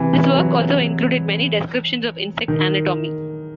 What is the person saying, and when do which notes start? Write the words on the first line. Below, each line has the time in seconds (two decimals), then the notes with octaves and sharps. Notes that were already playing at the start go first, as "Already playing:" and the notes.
This work also included many descriptions of insect anatomy.
Already playing: C3 E3
0.13 E3
0.36 F#3
2.48 D#3